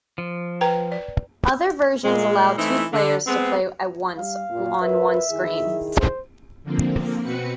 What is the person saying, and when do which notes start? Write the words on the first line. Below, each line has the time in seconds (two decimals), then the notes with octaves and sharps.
Other versions allow two players to play at once on one screen.
0.18 F3
0.61 B4 G5 A#5
0.92 D5
2.04 A#2 G#3
2.58 E3 A3 C4 D#4 E4
2.93 D3
3.27 G#3 B3 C4
4.18 G3 F5
4.50 A#2 F4
4.82 F4 A#4 B4 E5
5.31 D#3 E4 G#4
5.99 C5
6.63 D3 F3 A#3 C4
7.22 B2 C4 F#4 B4 C#7